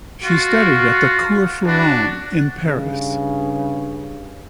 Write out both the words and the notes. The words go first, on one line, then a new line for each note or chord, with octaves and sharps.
She studied at the Cours Florent in Paris.
F4 F#4
D4 F#4
G2 C#3